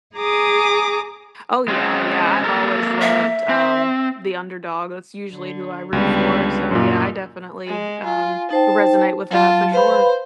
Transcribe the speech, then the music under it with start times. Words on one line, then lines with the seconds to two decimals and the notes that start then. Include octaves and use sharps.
Oh, yeah, yeah, I've always loved, um, the underdog. That's usually who I root for, so, yeah, I definitely, um, resonate with that for sure.
0.16 G#4 A#5 D6 D#6
1.68 G#3 C4 C#4
2.44 A#3 A4 A#4
3.02 E5
3.49 C4
5.32 D3
5.93 C#2 D3 G3 B3
6.71 F#2 A#2 D#4
7.67 G#3
8.04 F4 G#5
8.51 D#4 C5 G5 A5
9.31 F#3 F4 A5
9.74 B4 C5 F5 B5